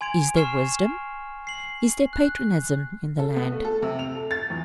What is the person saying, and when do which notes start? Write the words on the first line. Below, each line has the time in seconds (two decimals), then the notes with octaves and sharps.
Is there wisdom, is there patriotism in the land?
0.01 G#5 C6 G#6 D7 F7
0.36 C#6 F6 C7 E7
1.47 C7 F#7
2.13 F#6
3.19 A4
3.36 B3
3.52 A3
3.65 A4
3.82 C3
3.99 F7
4.15 A4
4.31 A6
4.50 E2